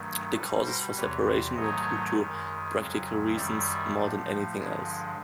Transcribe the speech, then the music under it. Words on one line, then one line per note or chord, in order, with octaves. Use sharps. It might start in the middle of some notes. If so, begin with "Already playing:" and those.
The causes for separation were due to practical reasons more than anything else.
Already playing: G2 D#3 F#3 A3
B2 G3 A4 B4
A#4 C5
E2 C3 E3 B4 C#5
G#2 D#3 F#3 A3 C#5 D#5
F#2 D#3 G#3
F2 C#3 F#3
F#2 D#3 G3 D5 E5
A2 F3 A3
G2 D3 F3 G#3